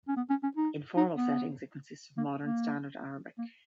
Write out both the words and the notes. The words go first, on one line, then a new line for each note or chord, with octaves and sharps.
In formal settings, it consists of Modern Standard Arabic.
C#4
B3
C#4
C#4
D#4
D#4
B3
A#3
A#3
A#3